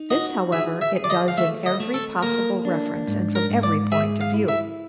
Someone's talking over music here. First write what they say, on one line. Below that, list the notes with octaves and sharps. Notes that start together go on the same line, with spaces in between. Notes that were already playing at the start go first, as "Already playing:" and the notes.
This, however, it does in every possible reference and from every point of view.
Already playing: D#4
F#4 D#5
G#4 E5
E5
G#4
D5
D#5
F5
A3 E5
D#5
A3
A4
A#3 A#4
D4
G#2
A#4
G#2
D5
G#4 E5
F5
E4
E5